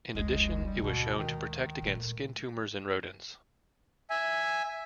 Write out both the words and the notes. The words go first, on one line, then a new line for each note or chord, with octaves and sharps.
In addition, it was shown to protect against skin tumors in rodents.
F1 C#2 G#3
G3
D2 G#2 B2
D#3
A#2 A3
E5 G#5